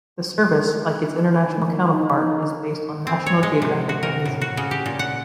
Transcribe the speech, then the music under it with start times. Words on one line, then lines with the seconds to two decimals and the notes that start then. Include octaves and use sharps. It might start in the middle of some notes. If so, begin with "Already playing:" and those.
The service, like its international counterparts, is based on "National Geographic Magazine".
1.48 D#3
1.90 D#4
3.07 C4
3.26 C#5
3.43 G#3
3.62 C3
3.89 F#4
4.03 A#4
4.25 A2
4.41 F#4
4.57 C#3
4.71 G4
4.86 A#2
4.99 F#5